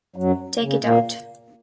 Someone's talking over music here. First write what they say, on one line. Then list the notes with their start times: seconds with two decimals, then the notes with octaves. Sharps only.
Take it out!
0.16 F#2 F#3
0.61 C#3
0.82 A#2 A#3